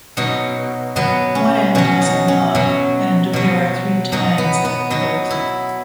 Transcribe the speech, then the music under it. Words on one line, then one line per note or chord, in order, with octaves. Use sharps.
One end has a knob and there are three tines at the foot.
B2 F#3 D#4
B2 F#3 B3
C#4
B2 F#3 C#4
D#4
C#4
B2 F#3
B2 F#3
B2 F#3 D#4
B3
B3
B2 F#3 D#4
E4